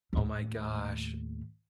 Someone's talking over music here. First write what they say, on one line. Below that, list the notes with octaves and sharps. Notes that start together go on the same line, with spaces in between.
Oh my gosh,
D#2 A2